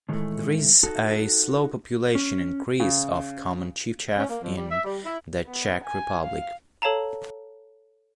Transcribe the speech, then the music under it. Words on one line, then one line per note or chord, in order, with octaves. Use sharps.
There is a slow population increase of common chiffchaff in the Czech Republic.
A2 D#3 E3 F#3 G#3 A3
D#4 F#4 A4
C#4
C#3
C#4
A#3
F2
G3
E5
G3
E4
B3
G#5
F5
A4 C#5 F5 A5 A#5